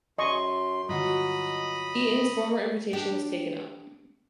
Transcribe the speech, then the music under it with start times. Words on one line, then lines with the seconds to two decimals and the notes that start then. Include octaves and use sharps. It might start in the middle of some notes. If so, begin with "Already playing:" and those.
Eaton's former invitation was taken up.
0.18 F#2 D#5 C6 C#6
0.89 G2 D3 F#3 F4 F#4 D#5 B5
2.93 D4 G4